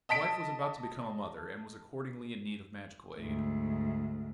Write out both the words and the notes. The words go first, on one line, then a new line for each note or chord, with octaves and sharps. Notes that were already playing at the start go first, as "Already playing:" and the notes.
His wife was about to become a mother, and was accordingly in need of magical aid.
D#5 A5 B6 D7
D2 G#2